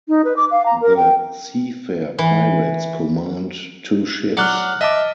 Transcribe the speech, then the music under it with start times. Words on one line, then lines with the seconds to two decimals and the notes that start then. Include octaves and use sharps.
The Seafair Pirates command two ships.
0.09 D#4
0.25 B4
0.36 D6
0.51 F5
0.66 A#5
0.81 A#4
0.97 G5
2.19 E3
4.37 F#3 D5 F6 F#6 C#7
4.81 D#5 E5 A5 D6